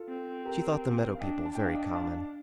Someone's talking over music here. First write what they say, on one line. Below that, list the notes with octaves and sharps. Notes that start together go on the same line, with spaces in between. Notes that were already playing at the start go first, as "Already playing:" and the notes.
She thought the meadow people very common.
Already playing: F4 A4
C4
G4 A#4
F5
D4 D#5 G5
A5
D4 G5
F5
D#5 G5
F5 A5